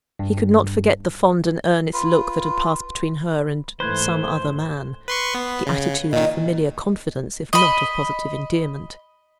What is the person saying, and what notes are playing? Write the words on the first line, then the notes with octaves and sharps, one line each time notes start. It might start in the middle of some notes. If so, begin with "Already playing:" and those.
He could not forget the fond and earnest look that had passed between her and some other man--the attitude of familiar confidence, if not of positive endearment.
G2
F4 B4
G#2 E3 A3 B4 C5 F#6 G#6
B4 C6 C#6
B3
C#3
A#2 D#3 D#5
D#5 B5